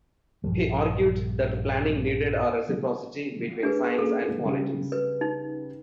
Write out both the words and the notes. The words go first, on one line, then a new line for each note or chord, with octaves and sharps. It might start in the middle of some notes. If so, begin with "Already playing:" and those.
He argued that planning needed a reciprocity between science and politics.
A#1 G2 F3 G3
D4 G#4 B4
A#3 C#4 G#4 A4
C#3 G3
B4
D#4